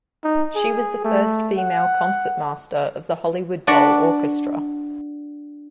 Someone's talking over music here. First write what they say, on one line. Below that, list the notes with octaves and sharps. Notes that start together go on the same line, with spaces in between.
She was the first female concertmaster of the Hollywood Bowl Orchestra.
D#4
G#4
A3
F#5
D4 F#4 D5 F#5 B5